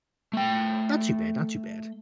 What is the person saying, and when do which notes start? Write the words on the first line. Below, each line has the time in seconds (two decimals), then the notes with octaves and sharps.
Not too bad. Not too bad.
0.33 A3 G5